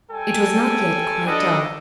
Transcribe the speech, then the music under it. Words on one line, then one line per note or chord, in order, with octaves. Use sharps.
It was not yet quite dark.
G3 A4 G5 G#5
G3 D4 F#4 A4 D#5